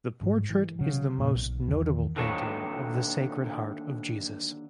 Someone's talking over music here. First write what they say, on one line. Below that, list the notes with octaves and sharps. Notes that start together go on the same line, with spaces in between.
The portrait is the most notable painting of the Sacred Heart of Jesus.
G#2
E3
C#3 F#3
F2 A#2
B1
E2 D#3 F3
D#2 D3 F#3 A4 C#5